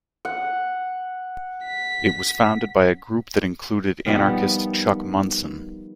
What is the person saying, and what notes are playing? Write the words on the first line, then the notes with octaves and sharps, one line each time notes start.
It was founded by a group that included anarchist Chuck Munson.
F#5
B6
D#3 F3 G3 B3